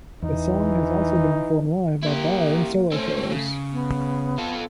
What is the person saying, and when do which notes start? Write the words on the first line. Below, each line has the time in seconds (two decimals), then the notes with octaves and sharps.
The song has also been performed live by Barre in solo shows.
0.22 E2 E3 D#4
2.03 A#3 E4 G4
2.91 A3 C4 C#4
3.32 C#3
3.72 B3
4.39 F4 A4